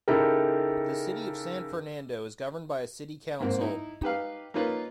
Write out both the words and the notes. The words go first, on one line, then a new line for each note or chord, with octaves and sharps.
The City of San Fernando is governed by a city council.
C#3 D#4 E4 G4 A4 A#4
G#2 A#3 C4
D#4 E4
D#4 G4 B4 F5
A#3 C#4 D#4 F4 B4